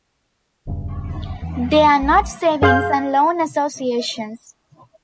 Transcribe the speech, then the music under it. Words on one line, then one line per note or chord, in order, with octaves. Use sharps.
They are not savings and loan associations.
D1 E2 G2 C#3
E2 E3
A#1
F#2 G#4 F5 C6 G6